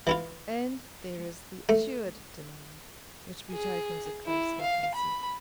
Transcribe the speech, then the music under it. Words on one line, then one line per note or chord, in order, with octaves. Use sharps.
And there is the assured demand,--which betokens a close intimacy.
E3 E4 F4
A3
G#4
E4
F5
B5